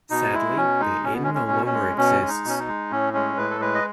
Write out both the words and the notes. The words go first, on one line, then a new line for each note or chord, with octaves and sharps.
Sadly, the Inn no longer exists.
B2 D#4
G#3 E4
B2 C#4
G#3 D#4
B2 C#4
B3
C#4
G#3
C#4
B2
C#4
G#3
B2 C#4
G#3
D#4
B2 C#4
D#4
G#3
A2 C#4
G#3 C#4
A2 B4
A4
G#3 B4
D#5